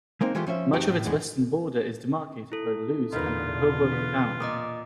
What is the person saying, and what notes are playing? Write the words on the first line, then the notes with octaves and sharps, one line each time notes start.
Much of its western border is demarcated by the Lewes and Rehoboth Canal.
G#3 A#3 C4 D#4
E3 G#3 A3 F4 G4 C5
F3 C#4 C5 E5
F2 A3 D#4 F#4 G4 G5
A2
E2 A2 G#3
E4 A4
E2 B2 D3 D#4 F4 A#4 B4
B3
A#2 D#5 D6 D#6